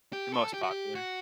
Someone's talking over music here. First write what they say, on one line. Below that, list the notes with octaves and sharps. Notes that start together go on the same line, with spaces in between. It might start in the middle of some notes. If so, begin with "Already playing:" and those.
the most popular.
G4
A4
G4
F#4
G4
F#4